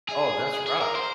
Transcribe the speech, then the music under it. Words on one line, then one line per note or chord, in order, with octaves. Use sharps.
Oh, that's rough.
G#4
G#4
A#4
C5